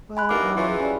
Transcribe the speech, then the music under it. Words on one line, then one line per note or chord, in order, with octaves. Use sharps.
Well, um,
G#5 B5 F#6
G2 E3 F#3 A#3 D#4 D6
F#2 E3 E4 F4 G#4
G3 C#4